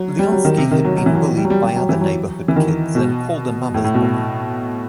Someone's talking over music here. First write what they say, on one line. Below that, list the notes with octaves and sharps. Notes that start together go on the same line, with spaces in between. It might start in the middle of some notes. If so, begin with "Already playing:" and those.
Leonski had been bullied by other neighborhood kids and called a mama's boy.
Already playing: F#3
G3
F#3
D#3
C3
D#3
F#3
F#3
E3
F#3
G3
F#3
G3
G3
F#3
E3
F#3
E3
D#3
B2
A2
A2
B2